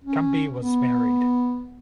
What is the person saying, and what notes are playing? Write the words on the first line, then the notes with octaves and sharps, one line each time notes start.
Cumby was married.
C#4
B3